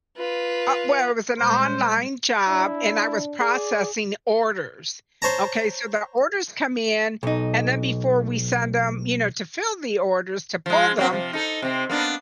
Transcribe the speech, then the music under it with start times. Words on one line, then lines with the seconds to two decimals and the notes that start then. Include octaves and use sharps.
Uh, well, it was an online job and I was processing orders, okay? So, the orders come in, and then before we send them, you know, to fill the orders to pull them,
0.17 F4 B4
1.39 A#2 G3 G#3 C5
2.49 D4 E4
3.40 G#4 D5
5.22 C5 C#5 A5 A#5
7.23 B1 D#4
10.66 F3 G#3
10.97 G2 A#3 C4
11.09 C3 F3
11.33 D#4 A4
11.62 C3 C4
11.90 A#3 B3 D4